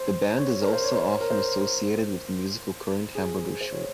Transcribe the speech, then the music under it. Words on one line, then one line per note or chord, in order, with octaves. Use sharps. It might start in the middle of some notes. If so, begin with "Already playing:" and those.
The band is also often associated with the musical current Hamburger Schule.
Already playing: C5
C#5
A#4
C5
C#5
A#4
C5
G#4
C5
C#5